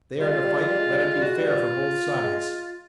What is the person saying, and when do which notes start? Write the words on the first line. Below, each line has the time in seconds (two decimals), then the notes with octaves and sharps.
If they are to fight, let it be fair for both sides.
0.20 G3 F4
0.32 G#3
0.44 G3
0.56 G#3
0.67 G3
0.79 G#3
0.90 G3
1.02 G#3
1.14 G3
1.22 G#3 F#4
1.37 G3
1.47 F4
2.23 G#3